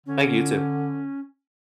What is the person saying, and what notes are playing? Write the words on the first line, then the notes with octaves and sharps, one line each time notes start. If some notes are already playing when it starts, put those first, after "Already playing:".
Thank you. You too.
D3 C#4